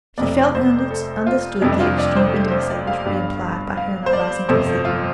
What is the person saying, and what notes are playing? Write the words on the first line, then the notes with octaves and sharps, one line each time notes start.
She felt and understood the extreme intimacy which would be implied by her not rising to receive him.
F1 F2 C3 D5
C5
A4
F4
F1 F2 C3 G3 D4
D4
F4
D5
C5
A4
G4
C5
C5
D5
F5
G1 G2 G3
F5
C5
D5
G1 F2 C3 A3 C5
A4
F4